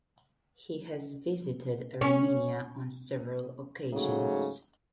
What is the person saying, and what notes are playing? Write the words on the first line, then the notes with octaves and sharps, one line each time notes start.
He has visited Armenia on several occasions.
C#4
G#2 C#3 F#3 A3